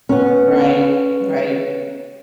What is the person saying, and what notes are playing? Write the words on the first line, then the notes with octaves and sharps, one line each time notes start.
Right, right.
B3 C#4